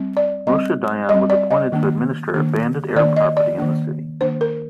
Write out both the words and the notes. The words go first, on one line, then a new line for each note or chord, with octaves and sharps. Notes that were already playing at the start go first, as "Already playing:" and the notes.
Moshe Dayan was appointed to administer abandoned Arab property in the city.
Already playing: G3 C4
D5
G3 C4 D#5
G3 C4 D#5
D5
D#5
D#3 A#3 D4
D#3 A#3 D4
D#3 A#3 D4 D5
D#5
D5
D#3 A#3 D4
D#3 A#3 D4 C5
A#4